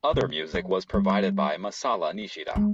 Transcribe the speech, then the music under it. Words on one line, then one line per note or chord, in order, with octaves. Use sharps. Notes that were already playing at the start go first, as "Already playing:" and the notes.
Other music was provided by Masala Nishida.
C3
F#3
G3
G#3